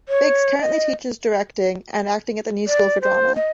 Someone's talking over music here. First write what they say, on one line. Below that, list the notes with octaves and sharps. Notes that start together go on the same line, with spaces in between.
Biggs currently teaches directing and acting at The New School for Drama.
C#5
D#5
D5
C5
D#5